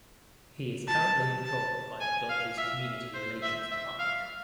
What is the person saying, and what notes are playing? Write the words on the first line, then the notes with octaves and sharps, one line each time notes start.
He is currently employed by the Dodgers Community Relations Department.
A5
A5
G#5
F5
E5
C5
E5
E5
F5